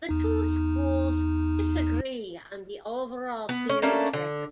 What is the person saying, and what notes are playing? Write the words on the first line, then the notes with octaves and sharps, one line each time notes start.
The two schools disagree on the overall series record.
E2 D#4
B3
C#4
A3 A#3 C#4 D4
D3